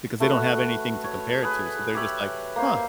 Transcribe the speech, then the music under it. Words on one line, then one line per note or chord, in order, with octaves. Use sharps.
because they don't have anything to compare it to, so they're just, like, "Huh."
A3 F#4 B4
C#5
G#4 B4
G4 C#5 E5 B5
A#3 C5